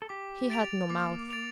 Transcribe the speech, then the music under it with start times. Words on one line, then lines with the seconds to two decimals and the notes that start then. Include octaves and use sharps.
He had no mouth.
0.02 A4
0.09 G4 D6
0.50 A6 D7 F7
0.90 A#3 D6
1.30 A6 D7 F7